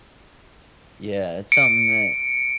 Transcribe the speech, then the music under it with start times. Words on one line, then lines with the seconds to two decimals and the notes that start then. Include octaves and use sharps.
Yeah. It's something that
1.52 C#7 D7